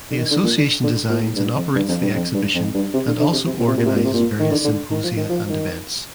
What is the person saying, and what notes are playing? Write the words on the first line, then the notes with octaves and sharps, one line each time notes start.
The association designs and operates the exhibition and also organizes various symposia and events.
D3
D#3
D3
A#2
D3
D3
A#2
A2
G2
F2
G2
F2
G2
F2
G2
F2
G2
C3
D3
D3
C3
C3
A#2
C3
A#2
C3
A#2
C3
A#2
D#3
D3
D3
D#3
F3
D#3
F3
F3
D#3